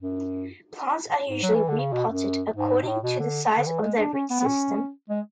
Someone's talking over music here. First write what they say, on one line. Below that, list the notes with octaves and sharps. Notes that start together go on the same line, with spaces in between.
Plants are usually re-potted according to the size of their root system.
F#2
G#2
F#3
E3
D3
C#3
B2
F#2
G#2
B2
A2
B2
D3
D3
E3
G#3
D4
C#4
B3
B3
C#4
G#3